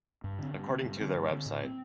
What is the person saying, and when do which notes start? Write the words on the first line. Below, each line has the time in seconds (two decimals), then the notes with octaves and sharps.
According to their website.
0.24 G2
0.39 D3 C4
0.54 G2
0.69 D3 C4
0.85 G2
1.00 D3 C4
1.15 G2
1.30 D3 C4
1.46 A2
1.61 A3
1.64 C4